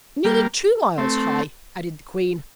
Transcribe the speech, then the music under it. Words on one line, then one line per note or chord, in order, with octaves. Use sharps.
'Nearly two miles high,' added the Queen.
G3 A#3
A3 C4